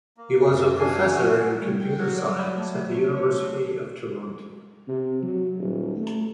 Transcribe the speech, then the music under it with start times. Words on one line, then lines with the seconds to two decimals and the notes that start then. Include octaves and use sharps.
He was a Professor in Computer Science at the University of Toronto.
0.17 A#3
0.45 F#2
0.79 D4 F5 G#5
1.10 A3 F#4 G#5
1.60 G3
1.80 G5
1.99 F#3
2.18 D5
2.39 B5
2.56 A3
2.73 C3
2.94 C#4
3.17 C#5
3.42 C4
4.88 C3
5.22 F#3
5.58 D#1
5.96 A3